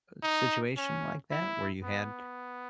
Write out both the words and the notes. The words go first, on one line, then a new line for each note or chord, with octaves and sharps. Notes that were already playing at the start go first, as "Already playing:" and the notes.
situation like that, where you had,
D#4
C#4
E4
B3